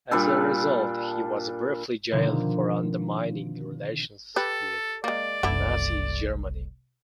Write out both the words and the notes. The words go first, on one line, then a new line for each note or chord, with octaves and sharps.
As a result, he was briefly jailed for undermining relations with Nazi Germany.
A#2 G3 D4 A4
B2 D3 D#3 F3 A#3 C4
G4 A4 B4
G#3 A#3 D5
F#1 C2 D3 B3 E4